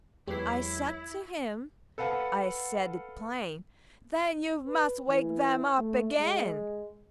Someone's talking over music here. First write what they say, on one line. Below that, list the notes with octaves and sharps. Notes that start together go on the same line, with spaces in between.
I said to him, I said it plain, "Then you must wake them up again."
E2 F#3 G#3 E4 G4 B4 C#5 C7
A4 B4 F5 F#5 A5
B4
E3
A3
G#3